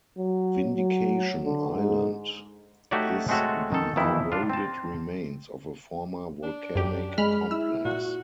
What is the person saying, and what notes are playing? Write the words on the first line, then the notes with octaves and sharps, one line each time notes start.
Vindication Island is the eroded remains of a former volcanic complex.
F#3
F#3
D3
G#2
A3 D#4 F#4 G4 C#5 D5
G#3 A3 C4 F#4 A4 C#5
D#3 A4
F2 D#3 E3 E4
D4 F4
C4 A5
D4
F#2 G4
G#3 B5 F6
E4 E6
A#2 F#4